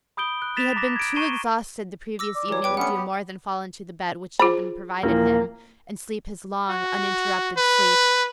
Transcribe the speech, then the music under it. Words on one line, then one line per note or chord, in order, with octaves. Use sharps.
He had been too exhausted the previous evening to do more than fall into the bed which had been provided him and sleep his long, uninterrupted sleep.
B5 D#6 G6 D7 G7
F#6
A6 B6 E7 F7
A#5 D6 A#6 E7
G#6 D7
A#5 C#6 C7 D#7 E7 G7
D6 E6 A#6
D5
E3 F#3 G4 C#5
E2 B4 G5 D6
A3 B3 C#4 D4 F#5 C#7
G4
F4 G#4 C5 B5
D#1 E3 F3 A#3
F#4
B4